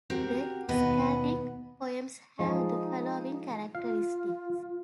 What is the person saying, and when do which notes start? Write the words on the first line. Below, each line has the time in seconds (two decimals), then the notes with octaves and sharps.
The skaldic poems have the following characteristics.
0.10 C4 F#4 G4 A#4
0.68 D#2 B2 B3 B4 D#5
2.39 F3 G#3 D#4
3.75 F4 F5